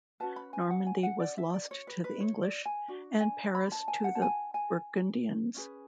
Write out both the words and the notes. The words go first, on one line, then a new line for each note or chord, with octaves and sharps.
Normandy was lost to the English and Paris to the Burgundians.
C#4 F#4 B4 A5
B5
G#5
F#5
G#5
F#5
D5
E5
D5
C#5
B4
B4
C#5
D5
G#5
D4 F#4
G#5
B5
A5
G#5
F#5
A5
G#5
G#5
C#4 E4 G#4 B4